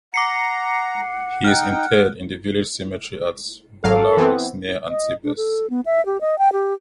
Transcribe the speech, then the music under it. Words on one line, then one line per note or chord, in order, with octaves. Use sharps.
He is interred in the Village cemetery at Vallauris, near Antibes.
F#5 A#5 D6 C7 C#7
D#4 G5 F6 F#6
G#1 F#3 A4 F5
E3 B3 C4
D#5
D4
A4
B3
E5
G4
D#5
G5
G4